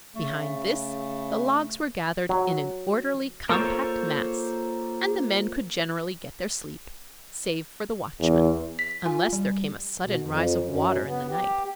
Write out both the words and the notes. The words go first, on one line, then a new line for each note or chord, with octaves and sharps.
Behind this the logs were gathered in an orderly, compact mass and the men could generally get their sleep, save for the watchman; unless there came a sudden rise of water in the night.
C#3 A3
F#3
A#3 F4 A4 C5 C#5
E2
B6
F4 G#5
G3
B2
F2
F#2
B3
G4